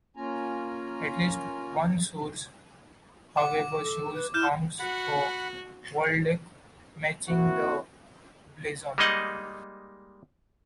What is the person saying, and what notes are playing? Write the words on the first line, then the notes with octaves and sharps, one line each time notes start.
At least one source, however, shows arms for Waldeck matching the blazon.
A#3 C#4 F4 G#5 A#5
F#5 D6
A4
B4
E4 F6 G6 E7
F#4 F#5 B5
A#3 C4 E4 F#4
G3 G#3 A#3 D#4 D#5 F#5